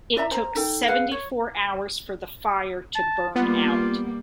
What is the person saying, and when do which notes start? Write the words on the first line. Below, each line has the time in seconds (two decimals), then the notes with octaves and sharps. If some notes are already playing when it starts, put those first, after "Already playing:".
It took seventy-four hours for the fire to burn out.
0.16 E4 D5 E5 A#5
0.31 C5 A#5
0.55 D#4 A4 G5
0.88 G#4 B4 F5 F#5
1.11 C#5
2.95 A5
3.35 G3 A#3 B3 F4